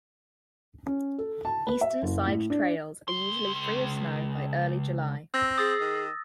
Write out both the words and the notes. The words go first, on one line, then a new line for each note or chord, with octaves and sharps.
Eastern-side trails are usually free of snow by early July.
C#4
A4
A5
B4
E5
F#1
A2
D4
C#2 C6
C4 E6 A#6
G#4 D#6 A6
D#3